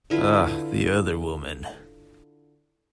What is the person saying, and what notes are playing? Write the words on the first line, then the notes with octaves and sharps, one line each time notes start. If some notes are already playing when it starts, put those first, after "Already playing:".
Ah, the other woman!
D3 E4 F4 B4